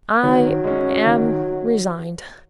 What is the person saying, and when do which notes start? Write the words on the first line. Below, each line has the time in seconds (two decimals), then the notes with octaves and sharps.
I am resigned.
0.23 D#3 F#3
0.64 G#3 C#4
1.06 D#3